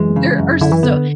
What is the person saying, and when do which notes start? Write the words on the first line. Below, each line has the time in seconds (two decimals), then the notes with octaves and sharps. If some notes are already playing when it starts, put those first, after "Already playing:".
there are so
Already playing: F#2 E3 G#3
0.16 C#3
0.39 F#2
0.61 D3 E4
0.72 E3
0.83 D3 B3